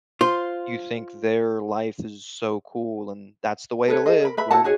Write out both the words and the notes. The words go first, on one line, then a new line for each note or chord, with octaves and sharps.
you think their life is so cool, and that's the way to live when
F4 C5
A4 B4 C#5
G#4 D#5
A#4 B5
B4 E5 B5
E4 F#4 F#5 A5
D#4 F#4 G#4 C#5